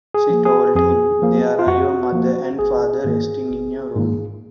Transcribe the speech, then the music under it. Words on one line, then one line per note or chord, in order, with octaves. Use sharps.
She told him: 'There are your mother and father resting in your room.
G#4
F3 A#3
G#4
F2 G#4
F3 A#3
F4
F2 F#4
F3 A#3
G#1 G#4
G#2 D#3 A#3
G#1
G#2 D#3 A#3